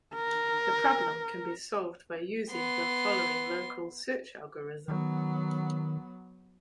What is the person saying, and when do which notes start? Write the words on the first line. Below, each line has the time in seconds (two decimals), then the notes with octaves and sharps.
The problem can be solved using the following local search algorithm.
0.14 A#4
2.51 B3 C6
4.88 D#3 F#3 B3